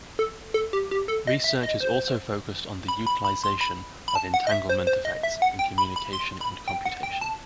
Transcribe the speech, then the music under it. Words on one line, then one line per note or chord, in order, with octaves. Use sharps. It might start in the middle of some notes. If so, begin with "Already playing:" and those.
Research is also focused on the utilization of entanglement effects in communication and computation.
A4
A4
G4
G4
A4
D#5
E5
D#5
C5
B5
B5
B5
C6
B5
B5
A5
F#5
D#5
E5
C5
C5
D#5
E5
F#5
G5
B5
B5
C6
B5
G5
F#5
G5
A5